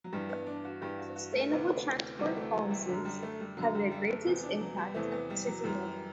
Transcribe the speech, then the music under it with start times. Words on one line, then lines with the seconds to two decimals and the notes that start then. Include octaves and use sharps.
Sustainable transport policies have their greatest impact at the city level.
0.04 F#3
0.12 G2 E3 G3
0.29 B3
0.47 D4
0.65 F#4
0.81 G2 E3 G4
0.98 F#4
1.16 F#4
1.32 A3
1.50 D2 C3 E3 B3
2.19 D2 C3 E3 G3
2.36 A3
2.54 F#3
2.71 G3
2.88 F#2 D3 F#3
3.05 G3
3.22 A3
3.40 G3
3.57 F#2 D3 F#3
3.75 G3
3.91 G3
4.09 A3
4.26 E2 C3 E3 B3
4.43 D4
4.61 F#3
4.78 G3
4.94 E2 C3 E3 A3
5.12 B3
5.30 G3
5.47 F#3
5.63 F#2 E3 G3